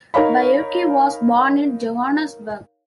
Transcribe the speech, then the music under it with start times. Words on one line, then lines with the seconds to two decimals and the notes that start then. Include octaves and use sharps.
Baiocchi was born in Johannesburg.
0.14 D#4 A#4 C#5 F5 B5